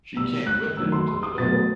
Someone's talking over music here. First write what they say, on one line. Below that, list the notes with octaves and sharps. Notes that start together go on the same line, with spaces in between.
She came with him to the door.
B2 G3 E6
F#6
D#3 F#3 A3 E6
C6
C6
D#6
B2 F#3 A3 A6